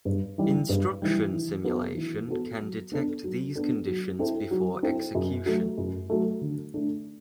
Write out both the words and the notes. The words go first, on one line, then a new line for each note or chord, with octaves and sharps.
Instruction simulation can detect these conditions before execution.
G2
E3 G3
G2
E3 G3
E3
B3 F#4 A4
E3
B3 F#4 A4
F#3
B3 D4 A4
F#3
B3 D4 A4
F#3
C4 E4 A4
F#3
C4 E4 A4
F#2
F#3 A3
F#2
F#3 A3
D3
A3 D4